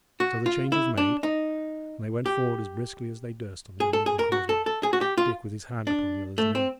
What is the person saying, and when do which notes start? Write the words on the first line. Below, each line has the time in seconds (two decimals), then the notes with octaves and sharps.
So the change was made, and they went forward as briskly as they durst on the uneven causeway, Dick with his hand upon the other's knee.
0.20 F#4
0.46 F4
0.72 E4
0.97 D4
1.23 D#4
2.26 G4
3.80 G#4
3.93 A4
4.06 G#4
4.19 A#4
4.32 F#4
4.49 A4
4.66 A4
4.83 G#4
4.93 F#4
5.01 G4
5.18 F4
5.87 D4
6.38 A3
6.55 C4